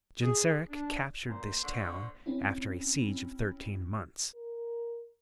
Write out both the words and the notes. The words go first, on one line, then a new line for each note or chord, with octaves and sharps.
Genseric captured this town after a siege of thirteen months.
G#4
D4
A#2 C5
D3 C#6
C4 C#4 E4
A#4